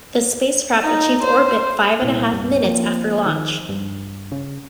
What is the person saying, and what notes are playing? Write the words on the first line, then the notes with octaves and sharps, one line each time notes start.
The spacecraft achieved orbit five and a half minutes after launch.
D#4
C5
C2 A#2
G2
F3 A#3 C4
D#3
G2
C#3